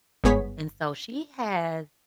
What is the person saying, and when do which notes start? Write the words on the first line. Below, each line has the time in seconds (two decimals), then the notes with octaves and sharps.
and so she had
0.24 G1 G#2 B3 G#4 C#5 B6